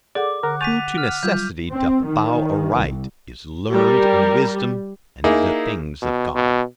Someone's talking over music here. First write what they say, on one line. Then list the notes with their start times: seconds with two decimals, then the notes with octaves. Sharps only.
Who to Necessity doth bow aright, Is learn'd in wisdom and the things of God.
0.15 G#4 A4 D5 F#5 D6
0.43 D3 A#4 F#5
0.61 G#5 C#6 G6 A6 B6 D#7 F7
0.98 F6
1.23 F#3 G3 F4 G6
1.71 C4
2.05 D#3
2.77 C2
3.74 G3 A#4
5.24 A#3 D#4 E4 G#4
6.02 B2
6.35 B2